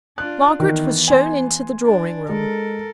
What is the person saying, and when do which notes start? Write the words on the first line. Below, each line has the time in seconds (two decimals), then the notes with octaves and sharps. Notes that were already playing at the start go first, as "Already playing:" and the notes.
Margaret was shown into the drawing-room.
0.18 D4 F4 F#6
0.60 D#3 E3 B3 A#4
1.08 G#5 C6
1.85 D4
2.29 G#3 A4 A#4